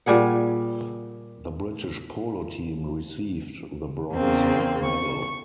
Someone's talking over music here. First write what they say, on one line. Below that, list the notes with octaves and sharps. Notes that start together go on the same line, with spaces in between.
The British Polo team received the Bronze Medal.
A#2 G3 G#4 F#5
E2 C#3 A#3 C4
C#6